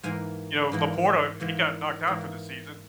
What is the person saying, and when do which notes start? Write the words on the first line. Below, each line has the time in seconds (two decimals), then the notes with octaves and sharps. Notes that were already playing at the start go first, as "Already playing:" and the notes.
You know, LaPorta, he got knocked out for the season.
0.03 G#2 E3 A#3 F5 G#5
0.72 G#2 E3 A#3
1.40 G#2 E3 A#3
2.07 G#2 E3 A#3